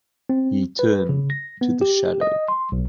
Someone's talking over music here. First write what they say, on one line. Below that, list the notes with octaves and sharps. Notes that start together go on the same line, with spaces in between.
He turned to the Shadow.
C4
B4
C#3
A#6
B3
G4
D#5
C6
B1